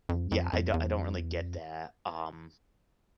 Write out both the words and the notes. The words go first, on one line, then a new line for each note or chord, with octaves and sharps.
Yeah, I don't I don't really get that, um
F2
F2
F2
E2
F2
E2
F2